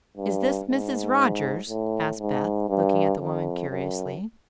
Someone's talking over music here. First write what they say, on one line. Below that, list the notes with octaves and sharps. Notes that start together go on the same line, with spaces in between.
"Is this Mrs. Rogers?" asked Beth, looking at the woman curiously.
G2
G#2
A2
G#2
G2
F2
F#2